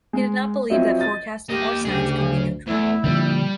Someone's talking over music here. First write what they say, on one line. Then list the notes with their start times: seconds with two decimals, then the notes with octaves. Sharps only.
He did not believe that forecasting or science could be neutral.
0.13 G#3
0.70 F3 F#3 C4 D#5 E5
0.98 D#5 A6
1.50 A#3 G4 D#5
1.85 D2 C#3 G#4
2.67 E2 A3 E4
3.04 A#2 D3 F3 G3